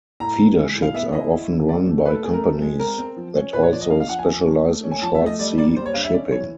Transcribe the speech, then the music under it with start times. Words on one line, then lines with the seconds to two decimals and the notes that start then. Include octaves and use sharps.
Feeder ships are often run by companies that also specialize in short sea shipping.
0.20 A2 A#5
0.38 E3
0.57 G#3
0.75 A2
0.82 F5
0.94 B3 E5
1.13 E4 D#5
1.31 E4
1.49 D3
1.68 C4 D5
1.86 A3
2.06 A3 B4
2.14 A4
2.24 A3 G#4
2.33 A#4
2.42 C4
2.61 G#3
2.79 C4 A#4
2.98 C4
3.17 F3
3.36 C#4
3.53 A#2 B4
3.63 C#5
3.72 F3 D5
3.81 D#5
3.90 D4 F5
4.00 F5
4.09 F3 F#5
4.19 G#5
4.27 F3
4.46 A#3
4.65 A3
4.84 C#4
4.91 G#5
5.02 F3 A5
5.15 E5
5.21 A3
5.26 D#5
5.39 G3 D5
5.58 A#3 D5
5.76 G3 C5
5.86 C#5
5.94 D4 F5
6.04 E5
6.13 C#4 D5
6.32 E3 C#5